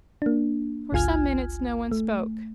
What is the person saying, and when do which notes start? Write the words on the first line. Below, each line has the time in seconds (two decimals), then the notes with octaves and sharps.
For some minutes no one spoke.
0.22 A#3 D4
0.92 G1 C#2 F4 G#5 F6 G#6
1.92 A3